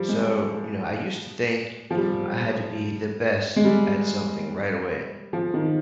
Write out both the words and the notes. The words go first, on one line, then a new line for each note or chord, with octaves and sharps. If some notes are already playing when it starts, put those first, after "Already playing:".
So, you know, I used to think, you know, I had to be the best at something right away,
Already playing: F3 G3
G#3
F3
G3
G#3
G3
F3
D#3